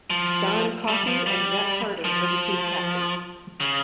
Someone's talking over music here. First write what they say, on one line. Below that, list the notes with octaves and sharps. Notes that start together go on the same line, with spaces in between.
Don Coffey and Jack Carter were the team captains.
F3
G3
F3
G3
F3
C#3